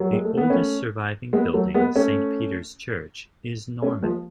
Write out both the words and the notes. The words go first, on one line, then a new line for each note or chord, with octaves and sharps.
The oldest surviving building, Saint Peter's Church, is Norman.
F#3
G#3
A3
B3
A3 C#4
G#3 B3
F#3 A3
G#3 B3
A3 C#4
A3 C#4
F3 G#3